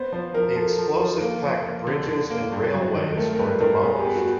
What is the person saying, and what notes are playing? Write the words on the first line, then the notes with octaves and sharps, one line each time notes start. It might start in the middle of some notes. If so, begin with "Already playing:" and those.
The explosive-packed bridges and railways were demolished.
Already playing: B3 C5
F3 C5
F3 A#4
F3 A4
F3
F3
A#3
F3
A#3
D3
D3
A#3
G2
F#3
D#3
A3 A#4
A#4
G2 B4
G2 A#4
B3 G#4
G4
B3
F#4